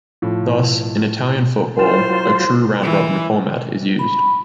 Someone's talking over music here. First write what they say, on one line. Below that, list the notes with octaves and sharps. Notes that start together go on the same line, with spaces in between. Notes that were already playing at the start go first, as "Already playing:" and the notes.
Thus, in Italian football a true round-robin format is used.
A2 F3
F#3 E4 F4 C5 G5 E7
E3
B5